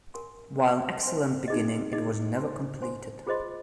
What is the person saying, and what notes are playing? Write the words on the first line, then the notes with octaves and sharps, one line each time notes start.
While an excellent beginning, it was never completed.
A#4 G#5 C6
C5 G#5 C6
C5 G#5 C6
D#4 G#4 D#5
D#4 G#4 D#5
C5 G#5 C6
C5 G#5 C6
F4 G#4 C5 D#5 C6